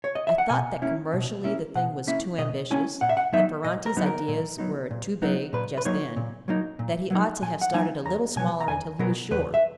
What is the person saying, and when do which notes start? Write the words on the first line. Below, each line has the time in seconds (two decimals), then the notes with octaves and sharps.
I thought that commercially the thing was too ambitious, that Ferranti's ideas were too big, just then; that he ought to have started a little smaller until he was sure.
0.04 C#5
0.15 D#5
0.27 E5
0.38 F#5
0.49 B2 G#5
0.82 A#3 C#4 E4
1.13 B2
1.44 A#3 C#4 E4
1.75 B2 F#5
2.07 A#3 C#4 E4 E5
2.38 B2 D#5
2.71 A#3 C#4 E4 G#5
3.01 A#2 F#5
3.09 E5
3.17 F#5
3.33 F#3 B3 D#4 E5
3.64 A#2 D#5
3.86 A#4
3.97 F#3 B3 D#4
4.06 A#4
4.28 A#2
4.58 F#3 B3 D#4
4.91 A#2
5.22 F#3 B3 D#4
5.53 A#2 B4
5.78 B4
5.85 F#3 A#3 D#4 C#5
6.16 A#2
6.48 F#3 A#3 D#4
6.79 A#2
7.11 F#3 A#3 D#4
7.42 A#2 G#5
7.62 F#5
7.73 F#3 A#3 D#4 G#5
8.05 E2 A#5
8.36 B2 F#3 B3 G#5
8.61 A#5
8.68 E2 G#5
8.99 B2 F#3 B3 A#4
9.31 E2 B4
9.54 E5